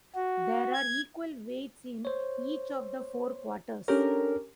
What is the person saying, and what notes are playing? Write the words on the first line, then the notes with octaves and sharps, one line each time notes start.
There are equal weights in each of the four quarters.
F#4
G#6
C5 C#5
C#4 D4 G4 A4 A#4 C#5